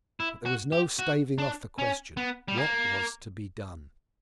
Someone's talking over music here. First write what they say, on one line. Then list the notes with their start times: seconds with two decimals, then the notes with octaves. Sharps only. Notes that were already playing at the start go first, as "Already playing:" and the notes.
But there was no staving off the question, What was to be done?
0.20 E4
0.46 F#4
0.72 G4
0.99 F#4
1.38 D4
1.78 C#4
2.17 B3
2.48 G3
2.57 A#3